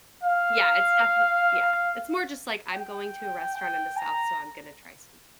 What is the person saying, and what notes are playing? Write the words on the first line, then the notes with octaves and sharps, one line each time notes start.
Yeah, it's definite yeah. It's more just like I'm going to a restaurant in the South, so I'm gonna try some
F5
G5
G5
A#5